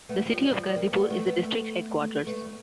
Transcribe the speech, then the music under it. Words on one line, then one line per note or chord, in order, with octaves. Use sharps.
The city of Ghazipur is the district headquarters.
A3 B3
F3 G3
F3 G3
A#3 C4
A3 B3
A3 B3
A3 B3
A3 B3